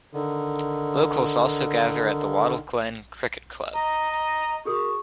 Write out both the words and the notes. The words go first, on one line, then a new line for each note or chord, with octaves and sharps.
Locals also gather at the Wattle Glen Cricket Club.
D3 D#3
D#5 A#5
A#5
F#4 G#4 A#4 C#6 D#6